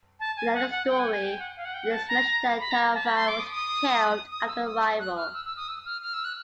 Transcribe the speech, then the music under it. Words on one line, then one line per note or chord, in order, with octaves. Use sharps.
In another story, it is mentioned that Tarafa was killed after arrival.
A5
G#5
F#5
F#5
G5
G#5
G#5
G5
F#5
F5
F#5
G5
F#5
A5
A#5
B5
A#5
A5
B5
C6
D6
D#6
D#6
D#6
E6
D#6
F#6
F6
E6
E6
D#6
E6
F6
F6
E6
F#6